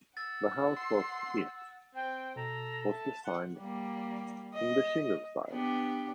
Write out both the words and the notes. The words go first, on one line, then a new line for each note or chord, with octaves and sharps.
The house was it was designed in the Shingle style.
F#5 E6 A6
C6
C4 G5
B2 A4 A#5
E5 A5
F#5 C6
G3 A#3
D#5
B3 D4 G4